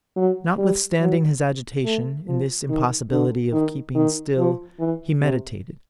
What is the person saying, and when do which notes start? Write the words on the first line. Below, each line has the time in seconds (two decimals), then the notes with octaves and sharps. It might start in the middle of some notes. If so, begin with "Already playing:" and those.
Notwithstanding his agitation, in this impossibility of keeping still, he meditated.
0.16 F#3
0.58 G3
1.00 F#3
1.85 A3
2.27 F3
2.69 D#3
3.11 D3
3.52 D#3
3.95 D#3
4.38 F3
4.79 E3
5.21 C3